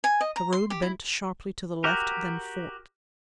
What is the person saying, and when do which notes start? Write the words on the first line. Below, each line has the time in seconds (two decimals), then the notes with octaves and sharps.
The road bent sharply to the left then forked.
0.04 G#5
0.21 D#5
0.36 A#5
0.53 C6
0.70 G4
0.82 E4
1.84 F#4 G4 A#4